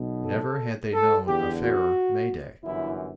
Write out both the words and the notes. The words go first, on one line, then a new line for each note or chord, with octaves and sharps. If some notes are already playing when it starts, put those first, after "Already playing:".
Never had they known a fairer May-day.
Already playing: B1 B2
A4
A4
E2 D3 G4
F#4
G1 F#2 E3 E4